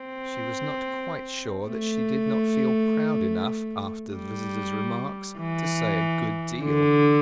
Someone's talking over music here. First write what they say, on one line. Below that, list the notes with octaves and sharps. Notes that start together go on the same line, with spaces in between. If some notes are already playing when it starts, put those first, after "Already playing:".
She was not quite sure that she did not feel proud enough, after the visitor's remarks, to say a good deal.
Already playing: C4
A3
G3
E3
D3